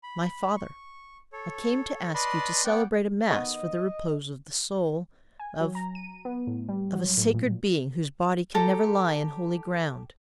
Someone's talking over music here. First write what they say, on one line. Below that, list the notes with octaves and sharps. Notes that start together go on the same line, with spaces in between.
"My father, I came to ask you to celebrate a mass for the repose of the soul--of--of a sacred being whose body can never lie in holy ground."
B5
C#6
A4 C#5
B4 D5 D#5 A5 B5 C6
B3 D5 F#5 G5
D#3 G3 B3 D#5
G#5
F#3
A#5
D#7
B3
A2
G3
F#3
A2
A#2
G4 A4 A#5